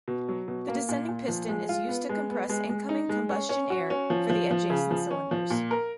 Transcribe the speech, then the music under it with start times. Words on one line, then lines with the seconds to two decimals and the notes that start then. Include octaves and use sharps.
The descending piston is used to compress incoming combustion air for the adjacent cylinders.
0.08 B2
0.29 F#3
0.48 B2
0.68 A#3
0.89 A#2
1.08 A#2
1.28 F3
1.49 G#3
1.69 F4
1.89 B3
2.09 G#3
2.30 B3
2.49 G#3
2.69 G#3
2.89 D#4
3.09 G#3
3.29 C#4
3.49 C#4
3.70 F#4
3.90 C#4
4.10 F3
4.30 F3
4.51 F3
4.70 C#3
4.91 F3
5.11 C#4
5.31 F3
5.50 A#2
5.71 A#4